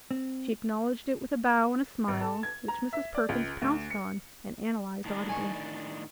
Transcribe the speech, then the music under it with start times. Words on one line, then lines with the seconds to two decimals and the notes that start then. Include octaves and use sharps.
She acknowledged it with a bow and a smile which Mrs. Perkins pounced on and analyzed audibly.
0.11 C4
2.08 G#1
2.21 A4
2.43 G#6
2.68 A#5
2.93 E5
3.15 D5
3.29 C#2
3.62 D2
3.90 C#7
5.05 A2 D#3 D4
5.29 G#5 C#6